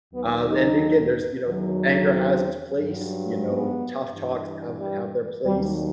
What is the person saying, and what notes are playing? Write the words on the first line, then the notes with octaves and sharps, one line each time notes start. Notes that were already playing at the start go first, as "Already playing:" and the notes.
uh, and again, there's, you know anger has its place, you know, tough talks have have their place,
D#2 D#3 F#3 B3
D#4
E2 D#3 F#3
C4
G2 F#3
B3
G2 E3
G3
D#2 D#3 F#3 G3